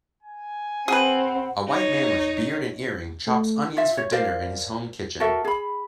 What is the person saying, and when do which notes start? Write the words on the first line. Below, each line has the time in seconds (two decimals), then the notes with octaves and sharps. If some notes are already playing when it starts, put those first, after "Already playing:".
A white man with beard and earring chops onions for dinner in his home kitchen.
0.23 G#5
0.88 C4 G#4 B4 F#5
1.67 D#4 C#5
3.27 A3
3.77 F4 E5
3.97 C#5
4.12 A#4 C5 D5 F5
5.20 F#4 A4 A#4 E5
5.45 G#4 B5